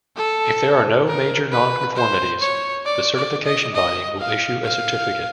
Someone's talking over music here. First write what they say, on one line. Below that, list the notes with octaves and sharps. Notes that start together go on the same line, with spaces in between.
If there are no major nonconformities, the certification body will issue a certificate.
A4
A#4
B4
C5
C#5
D5
D5
D#5
D#5
F5
F5